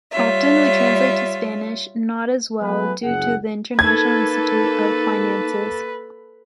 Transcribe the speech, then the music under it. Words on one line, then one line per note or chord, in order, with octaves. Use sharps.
Often we translate to Spanish, not as well, due to the “International Institute of Finances”.
G3 F4 C#5 E5
F#3 A3 B3 G#4 B4
F#1 C#2 G#4 F#5
A#3 D#4 A4 B4 G#6